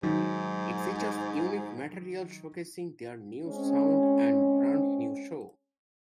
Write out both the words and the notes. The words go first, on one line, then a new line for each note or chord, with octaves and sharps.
It features unique material showcasing their new sound and brand new show.
G#2 D#3 F#3
G#3 C4 C#4